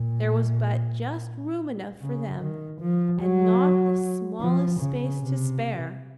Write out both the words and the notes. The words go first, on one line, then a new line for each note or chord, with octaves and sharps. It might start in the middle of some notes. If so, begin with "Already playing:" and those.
There was but just room enough for them, and not the smallest space to spare.
Already playing: A#2
C#3
D#3
F3
F#3
F3
C#3
C3